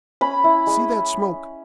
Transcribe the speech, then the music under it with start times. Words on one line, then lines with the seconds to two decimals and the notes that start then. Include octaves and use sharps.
See that smoke?
0.21 C#4 B5
0.44 E4
0.67 G#3